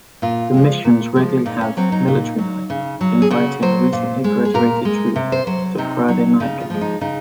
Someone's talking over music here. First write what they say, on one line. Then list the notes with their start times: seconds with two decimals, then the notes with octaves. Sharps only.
The Missions regularly have "Military Night", inviting recently graduated troops to Friday night games.
0.22 A#2 F4
0.54 F3 G#3
0.84 A#2
1.16 F3 G#3
1.46 A#2 D#4
1.61 C#4
1.77 F#3 C4
1.92 D#4
2.08 A#2
2.38 F#3
2.70 C#3
3.01 F#3
3.22 G#4
3.31 C#3 F#4
3.62 F#3 C5
3.93 A#2
4.24 G#3
4.45 G#4
4.54 A#2 A#4
4.85 G#3
5.16 C3
5.32 C5
5.47 F#3 C5
5.78 C3 D#4
6.08 F#3
6.40 C#3 D#4
6.60 F4
6.70 F3 G#3
6.81 D#4
7.01 C#3 D#4